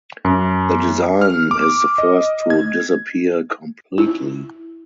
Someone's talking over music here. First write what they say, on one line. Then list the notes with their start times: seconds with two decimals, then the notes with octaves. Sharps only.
The design is the first to disappear completely.
0.25 F#2
1.22 F6
1.51 D6
1.98 D#5
2.50 G#6
3.98 E4